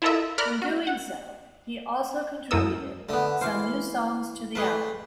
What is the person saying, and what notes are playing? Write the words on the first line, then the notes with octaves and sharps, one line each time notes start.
In doing so, he also contributed some new songs to the album.
E4 F4 A4 A#4 D#5 E5
A#4 D5 B5 F6 F#6
F#4
F#5
F#2 E4 A4 A#4 D#6 E6
D3 A3 B3
E3 C5 F5
A3 G#4 B4 F5